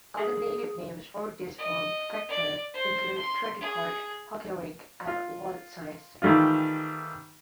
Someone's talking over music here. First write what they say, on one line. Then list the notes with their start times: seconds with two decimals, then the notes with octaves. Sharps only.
Alternative names for this form factor include "credit card," "hockey rink," and "wallet-size".
0.18 G#4
1.58 D#5
2.28 D5
2.74 C5
3.18 C6
3.60 G#4
5.07 F4
6.22 D#3 E3 G3 A3 F4